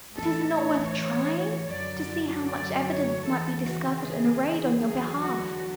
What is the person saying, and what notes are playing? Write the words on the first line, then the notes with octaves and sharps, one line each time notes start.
'But is it not worth trying, to see how much evidence might be discovered and arrayed on your behalf?
A2 E3 A4
C#5
F#2 D3 F#3 D5
D5
C#5
E2 C#3 E3 A4
F#4
G#4
E2 D3 F#3 G#4
F#4